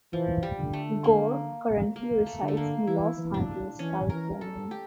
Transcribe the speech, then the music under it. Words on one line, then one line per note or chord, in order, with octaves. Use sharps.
Gore currently resides in Los Angeles, California.
E3 F3
G3
D3
A3
A#3
A#3
A3
D3
A3
A#3
E3 E4
E3
D4
E3 C#4
E3 A#4
A4
G4